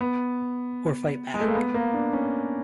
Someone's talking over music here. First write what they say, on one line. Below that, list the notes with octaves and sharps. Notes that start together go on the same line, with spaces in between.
Or fight back?
B3
G#3
A3
A#3
B3
A#3
D4
C#4